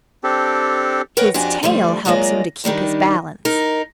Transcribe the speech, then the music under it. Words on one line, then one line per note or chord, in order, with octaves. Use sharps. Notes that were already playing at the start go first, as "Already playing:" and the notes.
His tail helps him to keep his balance.
C4 D4 G4 A4
A#4 B4 C#5 F#5 G5
F2 D4 F#4 G4 G#5
D3 F3 G3 A3
F#3 G#3 A#3 D4 F4 D#5
D#3 G3 D4 D#4
D#4 A#4